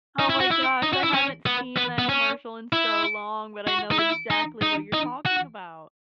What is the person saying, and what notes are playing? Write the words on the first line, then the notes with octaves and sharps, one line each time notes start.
Oh my gosh! I haven't seen that commercial in so long, but I know exactly what you're talking about.
D#4
E4
F#4
E4
D#4
F#4
E4
C#4
B3
B3
B3
C#4
E4
F#4
D#4
E4
D#4
D#4
D#4
F#4